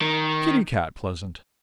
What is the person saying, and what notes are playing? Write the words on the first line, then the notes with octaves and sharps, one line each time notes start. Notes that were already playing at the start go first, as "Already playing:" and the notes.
Kitty-cat pleasant!
D#3